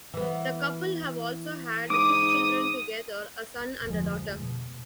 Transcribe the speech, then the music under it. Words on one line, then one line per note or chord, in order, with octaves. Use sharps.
The couple have also had two children together, a son and a daughter.
E3 B3
G#2 D6 D#6
F1 D2 F3 G#3
B2